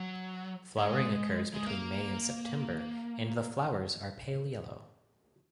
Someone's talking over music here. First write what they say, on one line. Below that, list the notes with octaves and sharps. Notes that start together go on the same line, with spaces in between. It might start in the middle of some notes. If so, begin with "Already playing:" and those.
Flowering occurs between May and September and the flowers are pale yellow.
Already playing: F#3
G#3
G#3
A#3